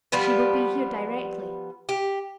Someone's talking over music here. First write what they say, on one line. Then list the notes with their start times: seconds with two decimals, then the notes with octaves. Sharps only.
"She will be here directly."
0.12 F3 G3 B3 B4
1.89 G4